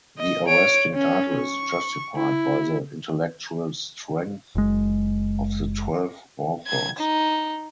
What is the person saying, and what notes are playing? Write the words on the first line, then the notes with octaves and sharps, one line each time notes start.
The arresting title is justified by the intellectual strength of the twelve authors.
D#5
C#5 D7
C#4
C#6
E4
F#1 G#3
G#6
D#4